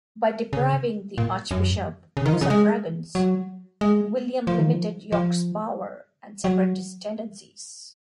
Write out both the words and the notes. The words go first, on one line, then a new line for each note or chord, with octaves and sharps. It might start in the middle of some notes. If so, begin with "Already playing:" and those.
By depriving the Archbishop of suffragans, William limited York's power and separatist tendencies.
C#3
A#2
F#2
C#3
D#3
F3
C#3
G#3
F#3
G#3
F3
D#3
F3
F3
F#3